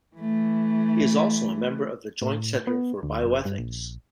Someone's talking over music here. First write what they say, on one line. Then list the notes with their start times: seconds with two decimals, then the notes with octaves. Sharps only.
He is also a member of the Joint Centre for Bioethics.
0.16 E3 A3
2.22 A2
2.67 B3
3.03 D2
3.24 F#1
3.45 G2
3.59 A#1